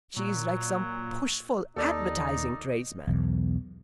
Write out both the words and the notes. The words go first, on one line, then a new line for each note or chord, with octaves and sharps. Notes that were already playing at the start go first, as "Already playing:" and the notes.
She is like some pushful advertising tradesman.
A#2 F#3
D#2 D#4 A4 D5 D#5
B1 E2